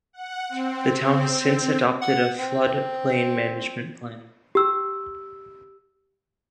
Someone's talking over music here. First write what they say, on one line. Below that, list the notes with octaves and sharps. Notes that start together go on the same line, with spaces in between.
The town has since adopted a flood plain management plan.
F#5
C4
F#5
C4
G4 E6